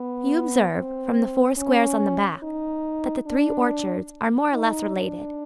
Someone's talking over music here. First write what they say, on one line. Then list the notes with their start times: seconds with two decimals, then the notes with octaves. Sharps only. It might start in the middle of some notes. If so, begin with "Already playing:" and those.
You observe, from the four squares on the back, that the three orchards are more or less related.
Already playing: B3
0.74 C4
1.58 C#4
2.43 D#4
3.27 D4
4.53 D#4
4.96 D4